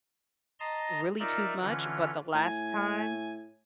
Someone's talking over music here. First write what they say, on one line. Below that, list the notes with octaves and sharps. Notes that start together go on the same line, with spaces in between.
really too much, but the last time
D#5 A5 A#5 C6
D#4 F4 A#4 D5 E5
D3 E3 C#4 F4
A2 G#5